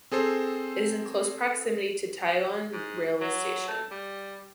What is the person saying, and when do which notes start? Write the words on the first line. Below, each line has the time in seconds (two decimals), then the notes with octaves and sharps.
It is in close proximity to Taoyuan railway station.
0.11 C4 G#4 A4 C5
2.72 G#2
3.21 F#3
3.68 A3
3.91 G3